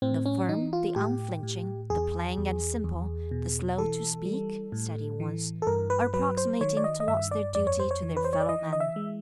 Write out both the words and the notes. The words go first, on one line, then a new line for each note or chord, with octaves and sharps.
"The firm, the unflinching, the plain and simple, the slow to speak," said he once, "are approximating towards their duty to their fellow-men."
A2 C4
C#4
E3 D#4
F4
A2 G4
A2
E2 G#4
E2
E2
B2
E3 A4
G3
A2
E3
A4
G2 A#4
B4
F#3 B4
C5
D#3 C#5
D5
D#5
D#5
G2 E5
D5
F2 D5
C#5
C5
C#5
E3
B4
C5
C#5
D5
E3 D#5
D#5
E5
G#3